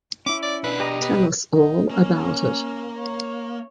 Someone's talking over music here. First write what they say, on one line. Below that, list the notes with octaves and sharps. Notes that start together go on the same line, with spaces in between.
Tell us all about it.
C#4 E4 D6
D5
B2 D4 B4
G4 D#5 A#5
B2 B4
D#4
A#3 C#4
C#5